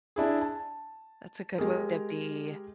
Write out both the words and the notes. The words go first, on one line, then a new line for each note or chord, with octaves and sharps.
that's a good way to be,
D4 E4 G#4
A5
G#3 G4 G#4 A#4